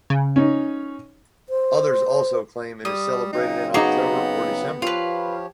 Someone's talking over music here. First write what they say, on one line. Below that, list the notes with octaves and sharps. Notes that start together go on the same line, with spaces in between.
Others also claim it is celebrated in October or December.
C#3
C#4 D#4
C5
G3 D#6
C#3 F#3 C4 D#4
B3 D#4 F#4 G#4 A#5 D6
F3 F4 G4 B4 C#5 F5